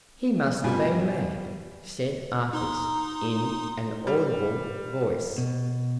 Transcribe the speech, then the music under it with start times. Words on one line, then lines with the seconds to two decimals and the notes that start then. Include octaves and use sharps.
"He must have been mad," said Artis, in an audible voice.
0.64 B2 G3 F4 G#5
2.53 D#4 A#5 C6 D#6
4.07 G3
5.38 B2